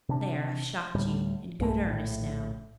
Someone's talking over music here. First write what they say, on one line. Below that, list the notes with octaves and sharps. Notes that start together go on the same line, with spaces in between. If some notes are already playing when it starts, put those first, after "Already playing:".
There, I've shocked you in good earnest now.
C3 D4
D2 A2 G3
B1 G2 G#3 A3
A#1 A2